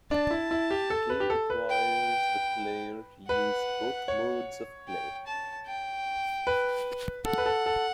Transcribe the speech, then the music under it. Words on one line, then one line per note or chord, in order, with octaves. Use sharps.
The game requires the player to use both modes of play.
D4 A5
E4
E4
G4
A4
B4
G4
A4
B4
G5
B4 F#5
C#5
G5
A5
G5
B4
A4 F#5
B4
A4
A4